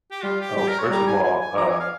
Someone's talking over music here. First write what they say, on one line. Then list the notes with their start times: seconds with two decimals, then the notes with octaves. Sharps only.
Oh, first of all, uh,
0.11 G4
0.23 G3 F4
0.40 G4
0.57 G3 G4
0.68 A#4
0.79 C#5
0.91 G3 A#5
1.07 G#5
1.23 G#5
1.40 G#5
1.57 F3 A#5
1.69 G#5
1.80 F5